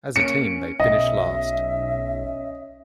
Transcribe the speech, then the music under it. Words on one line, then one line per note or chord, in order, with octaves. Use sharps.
As a team, they finished last.
A#3 C#4 C#7 D7
B1 C#4 D#5 E5